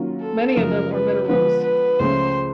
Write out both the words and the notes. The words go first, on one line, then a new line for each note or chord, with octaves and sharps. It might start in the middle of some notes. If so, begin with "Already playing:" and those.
Many of them are minerals.
Already playing: D#3 F#3 A#3 C#4 F4
A4
F#2 C#3 F3 A3 A#4
B4
D3 F3 G#3 B3 B4
B4
C#2 C#3 F3 A3 C#4 C5